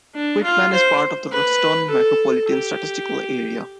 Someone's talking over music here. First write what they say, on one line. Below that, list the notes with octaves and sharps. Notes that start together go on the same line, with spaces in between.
Quitman is part of the Ruston Micropolitan Statistical Area.
D4
F4
C5
B4
A4
G4